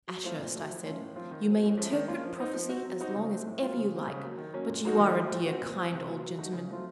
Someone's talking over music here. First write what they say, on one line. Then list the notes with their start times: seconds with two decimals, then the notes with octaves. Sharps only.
Ashurst,' I said, 'you may interpret prophecy as long as ever you like, but you are a dear kind old gentleman.
0.08 F#3
0.23 A3 C4 F4
0.38 A#2
0.54 F#3 A3
0.69 F3
0.85 A3 C#4 F4
1.00 A2
1.16 F3 C4 F4
1.31 D#3
1.46 F#3 C4
1.62 A2
1.77 F3 A3 C#4
1.93 D#3
2.08 A#3 C#4 F4
2.24 F3
2.38 C4 D#4
2.54 F3
2.69 C4 F#4
2.85 F#3
3.01 C4 D#4 F#4
3.16 C#3
3.31 A3 C4
3.47 A2
3.62 F#3 A#3 F4
3.76 C#3
3.93 F3 C4
4.08 C#3
4.23 F#3 A#3
4.38 D#3
4.54 F#3 A#3 C#4
4.69 A#2
4.85 F#3 A#3 D#4 F#4
5.00 D#3
5.15 F#3 A3
5.31 A2
5.46 F3 C4 F#4
5.61 A#2
5.77 F3 C4
5.93 C3
6.07 F#3 A#3 F4
6.23 F#3
6.39 A3 D#4 F#4
6.53 C#3
6.69 F#3 A3 C4 F4